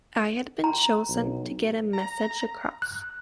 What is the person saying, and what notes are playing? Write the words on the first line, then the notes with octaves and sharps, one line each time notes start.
I had been chosen to get a message across.
A#5
B1
A#5
F#6